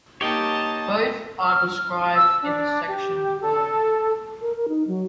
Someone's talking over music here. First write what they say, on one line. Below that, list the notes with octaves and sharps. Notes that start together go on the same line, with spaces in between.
Both are described in the sections below.
A#3 D#4 G4 C#5 D#5 G5 A5
F6
E6
D4
G4
A4
A#4
A#4
D#4
F#3